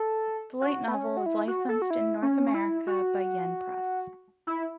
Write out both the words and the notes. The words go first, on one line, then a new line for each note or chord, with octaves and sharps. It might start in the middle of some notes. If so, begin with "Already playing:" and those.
The light novel is licensed in North America by Yen Press.
Already playing: A4
F#4
B3
C#4
F#4
E4
F#4
A4
F#4
E4
C#4
C#4
E4
F#4
E4